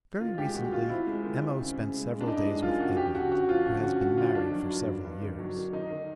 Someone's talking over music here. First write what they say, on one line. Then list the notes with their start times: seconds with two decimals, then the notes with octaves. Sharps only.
Very recently M.O. spent several days with Edmund, who has been married for several years.
0.20 D#3 F4
0.38 G#3 G4
0.55 D#3 F#4
0.72 D#3 F4
0.89 C4 E4
1.07 G#3
1.24 D#3
1.42 C4
1.59 C#3
1.76 C#3
1.93 G#3
2.11 C#3
2.21 D4
2.28 E3 D#4
2.45 G#3
2.62 F#2 F4
2.79 C#3 F#4
2.97 C#4 G4
3.15 D3 F#4
3.31 C#4 F#4
3.49 F3 F4
3.66 D3 F#4
3.83 C#4 F#4
4.01 D3 F#4
4.18 F3 F4
4.35 D#3 D4
4.52 F#3
4.70 G2
4.87 D#3
5.04 G2
5.21 D#3
5.39 F#3
5.56 D#3
5.73 D#3 D#4
5.90 D#3